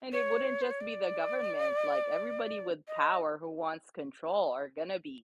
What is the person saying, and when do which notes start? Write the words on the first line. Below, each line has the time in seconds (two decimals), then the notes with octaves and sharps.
And it wouldn't just be the government, like, everybody with power who wants control are gonna be
0.12 C#5
0.61 C5
0.71 C#5
0.81 D5
2.88 D#5